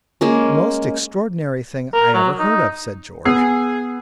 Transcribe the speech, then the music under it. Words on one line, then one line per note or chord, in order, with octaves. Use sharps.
"Most extraordinary thing I ever heard of," said George.
G#3 A#3 C#4
A#4
F#3
D#4
B3 G#4 E6 C7